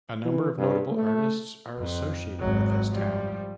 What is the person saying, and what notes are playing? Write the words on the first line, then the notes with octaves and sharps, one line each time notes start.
A number of notable artists are associated with this town.
E3
G2
A3
F2
G#1 F#3
F3 G3